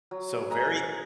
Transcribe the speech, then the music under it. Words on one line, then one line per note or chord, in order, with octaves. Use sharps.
so very
F#3
G#3 A#5